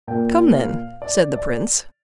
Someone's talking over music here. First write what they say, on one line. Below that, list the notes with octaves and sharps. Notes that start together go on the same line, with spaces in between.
"Come, then," said the prince.
A#2 A#3 G5
F5
D5
D5